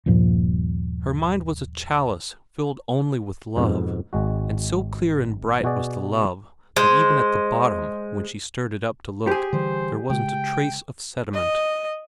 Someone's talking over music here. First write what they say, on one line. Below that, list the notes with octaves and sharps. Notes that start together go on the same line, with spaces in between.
Her mind was a chalice filled only with love, and so clear and bright was the love that even at the bottom, when she stirred it up to look, there wasn't a trace of sediment.
D#1 G2 A#2 F3
F2 G#2 B2
G#1 G#3 F#4
B2 F#4 G#4 D5
G#3 C5
G4 G#4 C5
D3 E3 G3 C5
C#3 G#3 G5
D#5